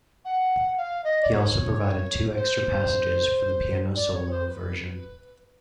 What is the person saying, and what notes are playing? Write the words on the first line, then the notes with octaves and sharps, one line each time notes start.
He also provided two extra passages for the piano solo version.
F#5
F5
D#5
D5
C#5
C5
D5
C#5
C5
B4